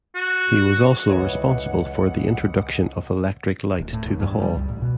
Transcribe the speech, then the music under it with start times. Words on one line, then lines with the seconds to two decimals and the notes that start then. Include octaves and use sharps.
He was also responsible for the introduction of electric light to the hall.
0.15 F#4
1.09 C#2 E3 C#5 F#5
3.78 D1
3.93 A2
4.06 D#2
4.20 G2
4.42 G3
4.55 C#2
4.69 A1
4.82 B2